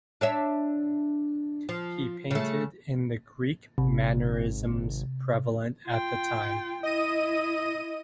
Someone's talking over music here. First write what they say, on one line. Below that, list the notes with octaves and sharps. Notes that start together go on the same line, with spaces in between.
He painted in the Greek mannerisms prevalent at the time.
D4 C#5 E5
F3
C#3 A3
G#1 C3
F4 G5
E4 D#5 D#7